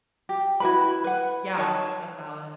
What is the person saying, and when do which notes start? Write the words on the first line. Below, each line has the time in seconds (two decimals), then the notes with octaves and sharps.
Yeah, that's valid.
0.29 G4
0.60 E4 F#4 B4 B5
1.04 B4 F#5
1.57 D#4 C#5 E5 A5